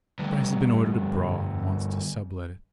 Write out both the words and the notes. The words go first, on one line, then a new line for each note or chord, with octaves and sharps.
Bryce has been ordered abroad, and wants to sublet it.
D2 G2